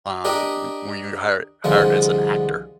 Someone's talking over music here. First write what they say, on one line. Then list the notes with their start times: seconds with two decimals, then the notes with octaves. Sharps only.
um, when when you were hired hired as an actor?
0.25 D4 G4 A#4 D#5
1.64 C2 D3 F3 G#3